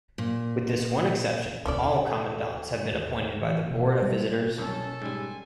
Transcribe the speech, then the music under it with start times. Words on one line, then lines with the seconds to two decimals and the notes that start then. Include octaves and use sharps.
With this one exception all commandants have been appointed by the Board of Visitors.
0.18 A#2
1.65 D#2 B2 F3 C#4 E4 A4 D5
2.92 D#2
3.42 E3
3.70 B2
4.02 G3
4.58 C2 F#2 B2 C#4 A4 A5
5.02 G#2 G3 C5 G#5